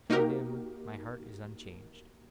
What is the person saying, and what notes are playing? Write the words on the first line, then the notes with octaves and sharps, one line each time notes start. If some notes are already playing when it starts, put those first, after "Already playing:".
Tell him, my heart is unchanged.
A#3 D#4 F#4 G4 A#4